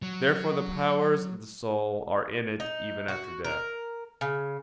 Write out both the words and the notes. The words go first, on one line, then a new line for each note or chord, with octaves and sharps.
Therefore the powers of the soul are in it even after death.
F#3
D#4
F#4
A#4
C#3